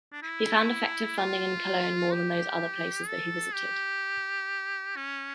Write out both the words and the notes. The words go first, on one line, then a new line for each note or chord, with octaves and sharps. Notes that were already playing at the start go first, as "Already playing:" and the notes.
He found effective funding in Cologne more than those other places that he visited.
D4
E4
F4
G4
A4
G4
C#4